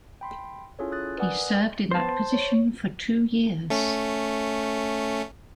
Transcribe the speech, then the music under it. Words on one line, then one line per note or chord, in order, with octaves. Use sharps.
He served in that position for two years.
G5 B5 C6
C#4 E4 F4 G#4 A4 C#5
D#6 F#6 A6
A#4 B4 D5 F#5 G#5 D#6
B3 C5 A5
C#5
A3 C#4